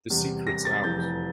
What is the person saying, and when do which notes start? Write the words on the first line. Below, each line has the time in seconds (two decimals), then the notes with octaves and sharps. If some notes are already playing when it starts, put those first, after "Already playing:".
The secret's out.
0.10 E2 C3 G3
0.47 A#6
0.65 A6
0.83 F1 F2 E3 G6